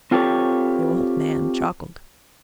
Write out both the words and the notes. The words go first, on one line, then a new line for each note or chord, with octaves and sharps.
The old man chuckled.
C4 F4 G4 A4 B4 C#5